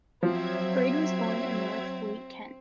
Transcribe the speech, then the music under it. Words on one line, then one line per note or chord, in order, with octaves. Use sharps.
Braid was born in Northfleet, Kent.
F3 F#3 C4 E5 G#6